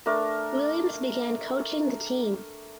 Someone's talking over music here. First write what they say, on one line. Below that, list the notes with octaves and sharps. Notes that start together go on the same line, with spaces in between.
Williams began coaching the team.
A3 D4 A#4